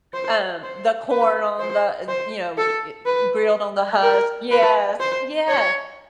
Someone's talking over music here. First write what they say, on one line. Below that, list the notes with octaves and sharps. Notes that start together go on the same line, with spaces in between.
um, the corn on the uh, you know, eh eh, grilled on the husk. Yes. Yes.
C5
C5
B4
C5
C5
A4
B4
A#4
B4
C5
C#5